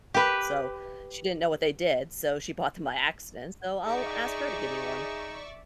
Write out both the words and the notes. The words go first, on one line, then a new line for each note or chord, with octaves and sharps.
so, she didn't know what they did, so she bought them by accident. So I'll ask her to give me one.
G4 B4
D#4 G#4 D5 E5 C#6